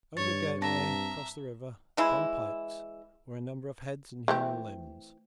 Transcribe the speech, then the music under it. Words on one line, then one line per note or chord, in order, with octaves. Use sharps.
Over the gateway across the river, upon pikes, were a number of heads and human limbs.
G2 C#5 A6
C4 E5 A5 A#5 A#6
E3 G#3 E4
E3 A3 C4